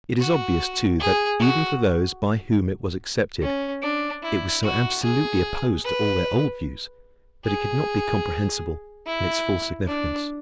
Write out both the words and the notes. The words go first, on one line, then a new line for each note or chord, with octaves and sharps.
It is obvious, too, that even for those by whom it was accepted, it was so absolutely opposed to all their old views that it could not be comprehensible in its full significance.
F#4
G#4
F#4
C#4
D4
E4
F#4
G#4
B4
G#4
E4
D4